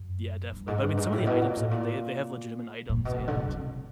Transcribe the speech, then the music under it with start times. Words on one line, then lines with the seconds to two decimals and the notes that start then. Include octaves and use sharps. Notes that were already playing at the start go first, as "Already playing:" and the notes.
Yeah, definitely, but I mean some of the items, I mean, they they have legitimate items and
Already playing: F#2
0.52 G2
0.67 G#2
0.82 G2
0.97 G#2
1.12 A2
1.27 B2
1.41 A#2
1.57 A2
1.71 A#2
2.89 A#2
3.05 B2
3.19 C3
3.28 D3
3.35 C#3
3.49 C3